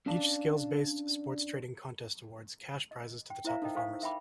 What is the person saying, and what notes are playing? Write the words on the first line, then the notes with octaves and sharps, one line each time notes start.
Each skills-based, sports trading contest awards cash prizes to the top performers.
C#4 D4 D5 F5 A5
D#5
G5
E4 A#4 C5 E5 F5 A#5
D#4 A4 A#4 D#5 G5
A4 A#4 C5 F5 C#6
A#4 E5 G5 B5 D6